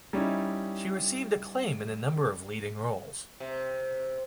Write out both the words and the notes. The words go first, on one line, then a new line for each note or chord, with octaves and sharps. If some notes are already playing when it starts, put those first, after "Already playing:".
She received acclaim in a number of leading roles.
G3 C#4 D#4 E4
C3